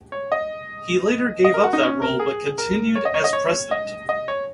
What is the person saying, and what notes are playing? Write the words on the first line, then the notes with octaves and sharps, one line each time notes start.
He later gave up that role but continued as President.
C#5
D#5
D#5
A#4
F#4
D#4
C#4
A#4
G#4
A#4
C#5
D#5
C#5
D#5
C#5
D#5
D#5
C#5